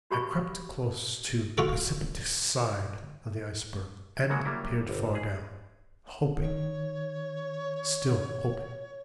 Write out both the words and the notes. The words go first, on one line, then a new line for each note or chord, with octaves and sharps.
I crept close to the precipitous side of the iceberg, and peered far down, hoping, still hoping.
F#4 G4 B5 C#6
F4 F#4 A4
C#3 F#3 G#3 A#3 F#4
F#3 G3 A#3 E4
G1
G#4
D#3 C#5